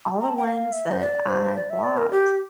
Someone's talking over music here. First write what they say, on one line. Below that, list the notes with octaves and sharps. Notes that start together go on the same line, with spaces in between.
all the ones that I blocked
A#5
A5
G5
F5
E5
C5
D5
C5
D5
E5
D5
A#4
G4